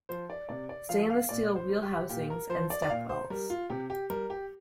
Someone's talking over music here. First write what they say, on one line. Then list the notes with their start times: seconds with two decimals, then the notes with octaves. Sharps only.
Stainless steel wheelhousings and stepwells.
0.09 F3 C5
0.30 D5
0.49 C3 D5
0.69 D5
0.89 F3 F5
1.10 F5
1.29 A#2 D5
1.56 C5
1.69 G3
1.83 G4
2.09 A#2 G4
2.30 A#4
2.49 F3 C5
2.70 D5
2.82 D5
2.90 A#2 F5
3.09 C5
3.30 G3 A#4
3.50 F4
3.70 C3 G4
3.90 G4
4.10 G3 A#4
4.30 G4